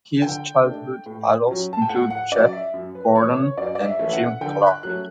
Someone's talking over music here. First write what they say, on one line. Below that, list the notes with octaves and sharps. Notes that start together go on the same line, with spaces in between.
His childhood idols include Jeff Gordon and Jim Clark.
D3 G5
A3 D4
A2
F#3 C#4
A5
G5
A2 F#5
F#5
F#3 C#4 D5
E5
F#2
B4
E3 A3 C#4 C#5
C#5
F#2 D5
D5
E5
E3 A3 C#4
E5
F#5
D3 G5
F#6
F#3 A3 C#4 F#6